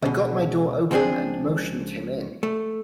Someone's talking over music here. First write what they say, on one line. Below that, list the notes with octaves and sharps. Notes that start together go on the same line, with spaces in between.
I got my door open and motioned him in.
C#2 B2
C#2 F3 C4 D4 G#4
A3